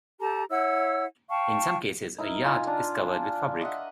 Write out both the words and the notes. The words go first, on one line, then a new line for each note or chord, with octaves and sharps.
In some cases a "yad" is covered with fabric.
G4 A4 A5 A#5
E4 C#5 F#5 E6
F5 G5 A5 C#6
D#4 E4 A#4
F4 G#5 A#5
D4
D#5 E5 F#5